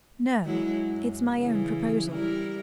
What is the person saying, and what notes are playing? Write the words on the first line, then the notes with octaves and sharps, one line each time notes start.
"No; it's my own proposal."
F#3 G#3 E4
F#2
C#3 E3
G3 E4 A#4